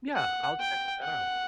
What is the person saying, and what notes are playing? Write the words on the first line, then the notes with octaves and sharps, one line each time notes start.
Yeah. I'll check that out.
F#5
G5
F#5